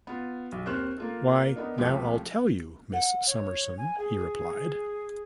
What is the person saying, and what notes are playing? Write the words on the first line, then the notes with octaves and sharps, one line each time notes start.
"Why, now I'll tell you, Miss Summerson," he replied.
B3 F4
B1
D#2 C4 C5 F6 F#6 E7
A#3 F4 A4
B3 D4 D#4 A#4
C#2 C3 F3 A3 G4 G5
F#5
C#5
G#5
G#4